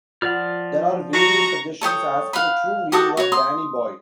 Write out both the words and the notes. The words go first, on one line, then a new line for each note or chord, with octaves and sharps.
There are various suggestions as to the true meaning of "Danny Boy".
F3 F4 D5 F#5 F6
F#4 A#5 C#6
A4 C#5 G5 D#6
F5 F#5 B5
F#4 G4 A4 D#6
F#4 C#5
C6 D#6